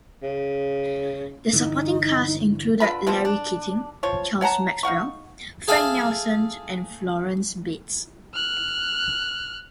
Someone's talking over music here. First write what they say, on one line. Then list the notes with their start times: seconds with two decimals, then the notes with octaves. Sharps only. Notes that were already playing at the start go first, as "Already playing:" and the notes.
The supporting cast included Larry Keating, Charles Maxwell, Frank Nelson, and Florence Bates.
0.23 C#3
1.53 G2 D3 E3 D#4
2.80 D3 F4 B4 B5
3.07 B2 F3 B3 C4
3.25 D4
4.03 F3 C#5
4.41 C#5 F#5 A5 A#5
4.83 D#4 F5 F#5 C#6
5.68 G#4 A4 E5 F5 G#5
8.34 F6 F#6